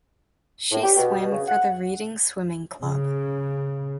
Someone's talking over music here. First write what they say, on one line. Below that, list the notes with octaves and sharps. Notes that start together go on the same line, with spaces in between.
She swam for Reading Swimming Club.
A2
G4
B2
C#3
F#5
C#3